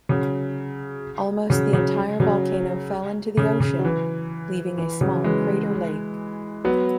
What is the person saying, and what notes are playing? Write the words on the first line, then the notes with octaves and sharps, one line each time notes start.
Almost the entire volcano fell into the ocean, leaving a small crater lake.
C#3 F#3
C#3 F#3
C#3 F#3
C#3 F#3
C#3
C#3
F#3
E3
E3
C#3 F#3
E3 G#3
F#3 B3